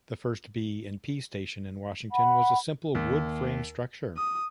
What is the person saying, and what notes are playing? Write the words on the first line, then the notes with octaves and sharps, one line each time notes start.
The first B and P station in Washington was a simple wood frame structure.
F#5 B5
D#2
D#6